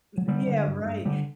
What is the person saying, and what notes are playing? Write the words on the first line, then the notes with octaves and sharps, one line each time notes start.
yeah, right.
F#3
D3 G3
D3
G2
G2
D3 G3